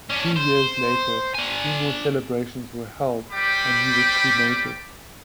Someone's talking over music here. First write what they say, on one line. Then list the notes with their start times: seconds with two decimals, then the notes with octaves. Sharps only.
Two years later funeral celebrations were held and he was cremated.
0.09 C#4 D4
0.36 C5
1.35 D4 G#5
3.31 G3 C5 G5 B5 D6